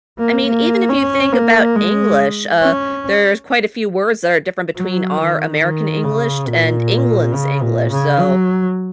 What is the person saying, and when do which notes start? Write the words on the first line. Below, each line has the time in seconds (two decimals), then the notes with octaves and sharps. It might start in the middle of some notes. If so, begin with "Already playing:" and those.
I mean, even if you think about English, uh, there's quite a few words that are different between our American English t and England's English. So,
0.18 A#3
0.46 A#3
0.89 C#4
1.33 A#3
1.76 G#3
2.62 C#4
4.76 F#3
5.19 D#3
5.62 D#3
6.04 C#3
6.48 A#2
7.34 C#3
7.62 A#2
7.91 C#3
8.20 F#3